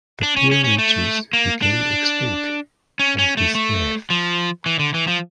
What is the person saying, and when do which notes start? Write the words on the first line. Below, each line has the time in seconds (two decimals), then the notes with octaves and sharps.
The peerages became extinct on his death.
0.23 D4
0.36 C#4
0.51 C#4
0.64 C#4
0.78 A3
1.33 A#3
1.62 D4
2.99 C#4
3.19 C#4
3.37 A3
3.55 A3
4.10 F3
4.66 E3
4.79 D3
4.94 E3
5.08 F3